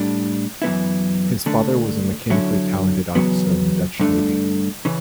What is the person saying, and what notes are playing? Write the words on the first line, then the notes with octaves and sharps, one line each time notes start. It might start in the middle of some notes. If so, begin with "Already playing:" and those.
His father was a mechanically talented officer in the Dutch Navy.
Already playing: A2 G3 D4
F#2 E3 G3 B3 E4
D3 A3 D4
D3 F#3 C#4 E4
E2 C#3 F#3 B3
G2 D3 A3 D4
C#3 E3